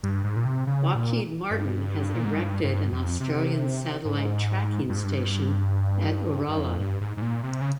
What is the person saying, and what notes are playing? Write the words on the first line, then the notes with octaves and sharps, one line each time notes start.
Lockheed Martin has erected an Australian satellite tracking station at Uralla.
G2
G#2
A#2
C3
C#3
A#2
G2
A#2
G#2
G2
G2
F2
C3
G#2
G2
G#2
G2
G2
F2
G2
G#2
G#2
A#2
C3
C#3